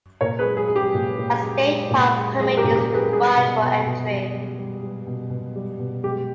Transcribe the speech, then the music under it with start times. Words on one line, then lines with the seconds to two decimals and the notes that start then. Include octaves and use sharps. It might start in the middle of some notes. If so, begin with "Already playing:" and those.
A state park permit is required for entry.
0.21 A#2 A#4 C#5
0.39 G#4 B4
0.45 G#3
0.57 G#4
0.67 G#3 G#4
0.76 G4
0.94 A#2
1.18 A#2
1.42 G#3
1.67 G#3
1.91 A#2
2.16 G#3
2.40 G#3 G#4
2.57 G4 A#4
2.64 A#2
2.75 G4 A#4
2.87 G#3
2.94 G#4 B4
3.04 A#4
3.13 G3 G#4
3.37 B2
3.61 B2
3.86 B2
4.09 G3
4.34 G3
4.59 G3
4.83 G3
5.07 B2
5.30 B2
5.56 G3
5.79 B2
6.03 G#3 G4